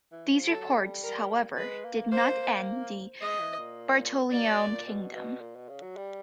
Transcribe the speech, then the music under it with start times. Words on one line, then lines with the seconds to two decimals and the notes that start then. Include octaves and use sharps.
These reports, however, did not end the Bertoleone "kingdom".
0.12 E3
0.30 F3
0.47 F#3 A4
0.75 G3
1.03 A#4
1.57 G#3 B4
1.85 A#3
2.12 A#3 C5
3.21 G#3 D#5
3.40 E3
3.58 A#2
4.32 B2 D5
4.51 B2
4.68 A#2
4.87 B2
5.14 B2
5.41 A#2
5.55 B2
5.69 C#3
5.82 F#3
5.97 G3